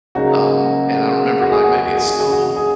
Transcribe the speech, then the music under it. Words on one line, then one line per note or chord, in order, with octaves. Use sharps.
Um, and I remember, like, maybe at school,
C#3 F#3 A#3 D#4 F#4
F#4
G#4
F#4
G#4
F#4
G#4
F#4
G#4
F#4
G#4